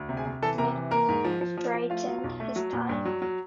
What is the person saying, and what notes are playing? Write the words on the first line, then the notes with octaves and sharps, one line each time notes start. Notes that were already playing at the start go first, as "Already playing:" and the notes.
Smith straightened his tie.
Already playing: D2
C3
G#4 G#5
C3
E3 A4 A5
C3 A#4 A#5
E3
A#3 A#4 A#5
G#2
F3
F3
F3
F3
A3 F4 F5
F#3
B1
A3
F#3
A#2
G2
F#3
F#3